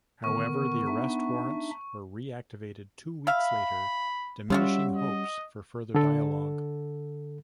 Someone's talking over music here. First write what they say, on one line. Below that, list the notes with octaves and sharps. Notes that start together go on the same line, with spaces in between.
However, the arrest warrants were reactivated two weeks later, diminishing hopes for further dialogue.
D3 D#3 B3 A#4 C#6
D4 D#4 E5
E5 F5 B5
G3 G#3 C#4 F4 F#4 E5
D#5
D3 A4